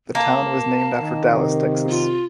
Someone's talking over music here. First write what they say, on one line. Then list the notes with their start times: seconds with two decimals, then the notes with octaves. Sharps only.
The town was named after Dallas, Texas.
0.15 A#3 A5
1.02 D#3
1.32 C3
1.89 F4